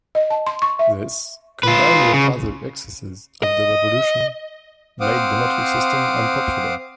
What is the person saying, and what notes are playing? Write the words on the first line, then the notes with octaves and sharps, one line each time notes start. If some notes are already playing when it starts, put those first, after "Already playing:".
This, combined with other excesses of the Revolution made the metric system unpopular.
D#5
A5
C6
C#6
E5
F4 B4
C#3
D#5
C4 C5 F5 F#5 D6 D#6